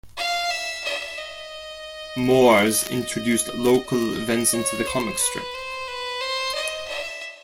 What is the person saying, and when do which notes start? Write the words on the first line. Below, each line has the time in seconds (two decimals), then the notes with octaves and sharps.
Moores introduced local events into the comic strip.
0.17 F5
0.51 E5
0.84 E5
1.18 D#5
3.86 D#5
4.53 C#5
4.87 C5
5.21 B4
5.54 C5
5.88 B4
6.21 C5
6.55 D#5
6.88 E5